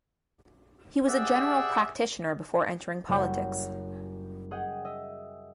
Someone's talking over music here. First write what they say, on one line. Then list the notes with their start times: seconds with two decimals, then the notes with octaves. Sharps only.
He was a general practitioner before entering politics.
1.08 G4 G#4 D5 E5 F#5
3.08 F#1 G3 F#4 C#5 G6
4.51 G#4 D#5 F#5 G5
4.85 D#5 E5